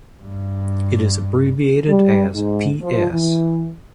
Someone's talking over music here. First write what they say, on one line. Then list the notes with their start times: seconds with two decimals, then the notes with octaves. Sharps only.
It is abbreviated as "ps".
0.22 G2
1.87 G3
2.34 G#2
2.81 F3
3.10 E3